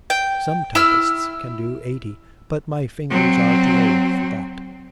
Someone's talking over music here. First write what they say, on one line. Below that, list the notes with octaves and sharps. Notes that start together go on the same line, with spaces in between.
Some typists can do eighty, but my fingers are too old for that.
G5
E4 E6 F6
F#3 C4